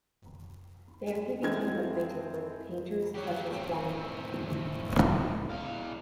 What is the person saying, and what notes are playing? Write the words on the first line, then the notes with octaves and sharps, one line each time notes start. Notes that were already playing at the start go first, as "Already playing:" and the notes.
There he became acquainted with painters such as Vlaminck.
E3 G#3 A3 C4 G#6
F#3 G4
A2 C4
E2 F5